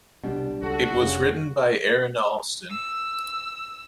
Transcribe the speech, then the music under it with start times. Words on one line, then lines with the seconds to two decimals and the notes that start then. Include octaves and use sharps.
It was written by Aaron Allston.
0.23 C2 B2 G3 D4 G4
0.62 C#2 F#4 A4
0.94 F1 C#3
2.69 E6